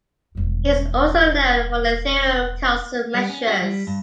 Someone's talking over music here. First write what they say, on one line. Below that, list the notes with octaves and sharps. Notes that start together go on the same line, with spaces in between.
He is also known for the theory of Carleson measures.
E1 G2
G3
C#4
F#4
G3
G2